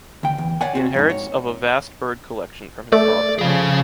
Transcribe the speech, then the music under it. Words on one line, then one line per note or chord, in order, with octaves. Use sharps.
He inherits of a vast bird collection from his father.
D2 G5
E2
C#5 D5 F#5 G#5
C4 F#4
F2 G#2 D#4
C#5
A3 D5
C#3 F3 G#4 F5